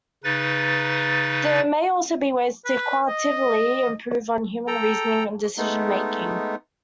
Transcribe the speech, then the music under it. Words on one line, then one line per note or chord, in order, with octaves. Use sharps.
There may also be ways to "qualitatively" improve on human reasoning and decision-making.
C#3 D#4 B4 A6
B4
D#5
A4 G5 A#5
G#3 A3 B3 D#4